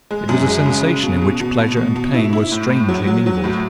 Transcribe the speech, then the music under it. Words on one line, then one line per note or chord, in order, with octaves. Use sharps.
It was a sensation in which pleasure and pain were strangely mingled.
G#3
F#2
G#3
C#3
C#3
B2
B2
B2
B2
B2
B2
E4
E4
A2
A2
F#3
F#3
F#3
A2